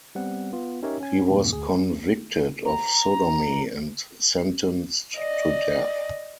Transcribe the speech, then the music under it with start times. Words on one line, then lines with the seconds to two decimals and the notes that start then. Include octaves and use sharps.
He was convicted of sodomy and sentenced to death.
0.15 G3 B3 C4 F#5
0.53 B3 F4
0.83 C#4 D#4 G4 A#4 C#5 E5
1.00 C#4 G#5
1.30 F2 G#2 B2 A#3
1.53 D2 G#4
2.65 A#5
5.16 D5 D#5